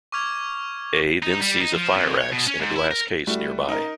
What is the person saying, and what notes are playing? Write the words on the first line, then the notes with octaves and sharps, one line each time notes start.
A then sees a fire axe in a glass case nearby.
C#6 D6 F6 G#6 F7
D#4
G3
D#4
F3
F2
C#5
B2
C#4
G#2
E4
A#4
G3 A3 E4 F#4
D#4 A#4